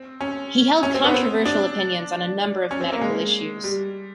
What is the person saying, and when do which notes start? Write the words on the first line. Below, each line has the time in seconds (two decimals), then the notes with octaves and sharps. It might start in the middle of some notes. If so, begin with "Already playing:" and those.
He held controversial opinions on a number of medical issues.
Already playing: C4
0.21 C#4
0.83 C#4
0.94 C4
1.04 B3
1.14 C4
1.45 D4
2.71 C#4
2.81 C4
2.92 A#3
3.01 G#3
3.64 G3